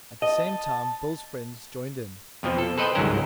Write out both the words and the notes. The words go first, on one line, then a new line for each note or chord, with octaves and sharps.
At the same time Bill's friends joined in.
D#5 A5
F2 B2 F3
A4
A4 B4 C5 D#5 G5
G1 C#2 G#2 F#3 C#4 A#4